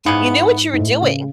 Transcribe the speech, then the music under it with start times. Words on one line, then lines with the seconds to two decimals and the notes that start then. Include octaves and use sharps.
you knew what you were doing.
0.05 G#2 C#3 E3 B3
0.73 G#2
0.78 A2
1.02 C#3